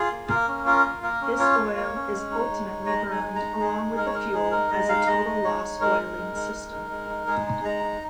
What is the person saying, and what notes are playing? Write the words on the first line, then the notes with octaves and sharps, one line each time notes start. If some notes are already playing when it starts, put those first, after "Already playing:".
This oil is ultimately burned along with the fuel as a total-loss oiling system.
Already playing: F4 G#4
A#3
A#3 A#4
C#4
F4 A#4
A#3
A#3 A#4
C#4
F4 C#5
A#3
A#3
C#4
G#3
D#4
G#3
D#4
G#3 D#5
D#4
G#5
G#3
A#5
D#4
G#3 G#4
D#4
G#3 A#4
C#5
D#4 A#4
G#3 G#4
D#4 A#4
G#3 D#5
D#4 F5
G#3 D#5
D#4
G#3 C#5
D#4
G#3 A#4
D#4
G#3
D#4
G#3
D#4
G#3
D#4
G#3 G#4
D#4
G#3 A#5
D#4